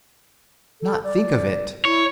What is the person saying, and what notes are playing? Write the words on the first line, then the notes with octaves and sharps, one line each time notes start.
Not think of it!
A4
D5
E4 C#5